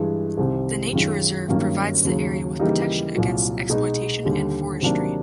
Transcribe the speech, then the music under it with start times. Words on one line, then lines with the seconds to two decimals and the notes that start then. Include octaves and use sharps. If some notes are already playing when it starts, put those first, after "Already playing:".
The nature reserve provides the area with protection against exploitation and forestry.
Already playing: G2 E3 G#3
0.37 C2 C3 D#3
0.93 F#2 D#3 G#3 C#4 F4
1.48 G2 D#3 F#3 A#3 C#4
2.04 D#2 C#3 F#3
2.59 C#3 E3 G3 A#3 D#4
3.15 C2 A#2 F#3
3.69 B2 G#3 B3 D#4
4.25 D#2 D3 G3
4.81 C3 D#3 F#3 A#3 D4